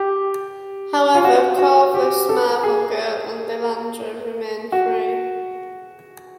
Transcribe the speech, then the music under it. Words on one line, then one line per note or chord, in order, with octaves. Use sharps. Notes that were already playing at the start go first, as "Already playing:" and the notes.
However, Korvus, Marvel Girl and Lilandra remain free.
Already playing: G4
F4
F#4
F#4
G4
A4
G#4
F#4